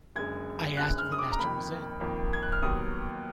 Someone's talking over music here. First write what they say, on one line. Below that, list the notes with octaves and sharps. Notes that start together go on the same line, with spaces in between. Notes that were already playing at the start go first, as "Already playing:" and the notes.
I asked if the master was in?
F#1 F#2 D3 G#3 G#6
F#1 F#2 D3 G#3 F#6
F6
D#6
D6
A#5
F2 D#3 A#3 B5
F2 D#3 A#3
G#6
F#6
F6
D#2 D#3 F#3 B3 D#6